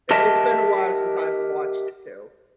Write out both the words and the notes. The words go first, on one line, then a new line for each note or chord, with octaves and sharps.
I It's been a while since I've watched it too.
G4 A#4 D#5 E5 A5